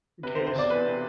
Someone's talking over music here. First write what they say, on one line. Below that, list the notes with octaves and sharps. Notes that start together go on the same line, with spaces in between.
in case.
C3 B4
C5
C3
C5
E1 D5
E2 B4
C3